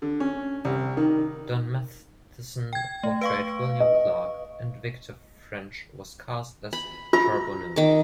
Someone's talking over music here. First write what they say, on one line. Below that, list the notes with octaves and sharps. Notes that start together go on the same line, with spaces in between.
Don Matheson portrayed William Clark, and Victor French was cast as Charbonneau.
D3
C#4
C2
D#3
G5 G#6
A3
B4 F5 C#6
D#5
B5
F4 A#5
D#3 D6